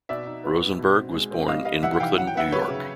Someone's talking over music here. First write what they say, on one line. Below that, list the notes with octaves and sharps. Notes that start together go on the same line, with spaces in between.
Rosenberg was born in Brooklyn, New York.
B2 D5 E5
D#4
B3
B3
B2
C4
G#3
C4
G3 D#5 F5
G3 D#5 F5
E3 E5 F#5
F#5
E3 F5 G5
F#3 F#5
G5
B3 E5 F#5
F#3 B4 C#5
C#3